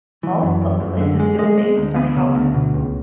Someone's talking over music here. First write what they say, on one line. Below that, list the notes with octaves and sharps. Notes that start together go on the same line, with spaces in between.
Most of the listed buildings are houses.
E3
F#2
F#2
F#2
D3
G#3
G#3
G#3
D2
B3
C#3
D2
B2
C#2